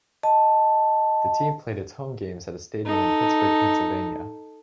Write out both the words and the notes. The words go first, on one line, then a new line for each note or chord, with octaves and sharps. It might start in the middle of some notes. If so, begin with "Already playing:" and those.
The team played its home games at a stadium in Pittsburgh, Pennsylvania.
D#5 A5
D#4 A4